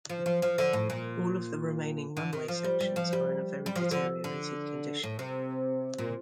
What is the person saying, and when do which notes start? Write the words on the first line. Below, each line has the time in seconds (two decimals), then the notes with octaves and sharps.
All of the remaining runway sections are in a very deteriorated condition.
0.09 F3
0.26 F3
0.42 F3
0.58 D3
0.73 A2
0.90 A#2
2.17 D3
2.33 D#3
2.48 F3
2.64 G3
2.81 G3
2.96 F3
3.13 G3
3.66 G3
3.76 F3
3.91 D3
4.24 D3
5.03 A2
5.19 C3
5.98 A#2